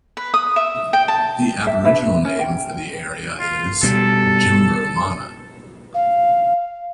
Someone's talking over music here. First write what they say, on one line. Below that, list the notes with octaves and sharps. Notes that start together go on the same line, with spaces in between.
The Aboriginal name for the area is "Jimberlana".
B4
D#6
E5
G5
A5
E5
D4 B4 E5
C#4
G5
F4
B2 G3 A4
F5